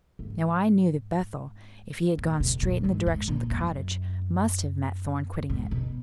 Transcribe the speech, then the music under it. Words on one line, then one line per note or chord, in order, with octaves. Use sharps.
Now I knew that Bethel, if he had gone straight in the direction of the cottage, must have met Thorn quitting it.
G#2
A#2
B2
A#2
G#2
G#2
A#2
F#2
G#2
B2